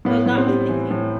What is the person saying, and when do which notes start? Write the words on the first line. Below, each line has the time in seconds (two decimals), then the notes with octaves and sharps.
So it got me thinking,
0.05 A2 B3
0.26 A2
0.37 C4
0.47 G3
0.69 E3
0.91 A2